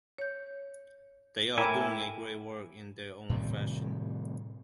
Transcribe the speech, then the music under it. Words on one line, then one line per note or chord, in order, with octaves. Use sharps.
They are doing a great work in their own fashion.
C#5 G6
A2 E4 A#4 G5 G#5 A#5 B5 D6
A2 C3 D#3 G3